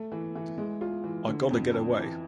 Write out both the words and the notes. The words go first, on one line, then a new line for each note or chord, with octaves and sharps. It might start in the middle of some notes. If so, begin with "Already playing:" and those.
I gotta get away.
Already playing: A3
E3
E3
G#3
F4
E3
D3
F2
F2
E3